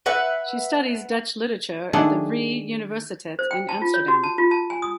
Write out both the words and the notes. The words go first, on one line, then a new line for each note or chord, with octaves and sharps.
She studies Dutch literature at the Vrije Universiteit in Amsterdam.
B4 E5 F#5
D#3 A3 D4 G#4 F#5
C5
G5
A5
F4
C#5
F#4
A5
F4
A5
G#5
D#6